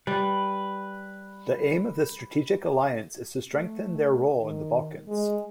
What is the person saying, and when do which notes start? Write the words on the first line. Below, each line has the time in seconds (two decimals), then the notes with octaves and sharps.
The aim of this strategic alliance is to strengthen their role in the Balkans.
0.07 G3 B4
3.54 A3
4.40 D#3
5.08 G#3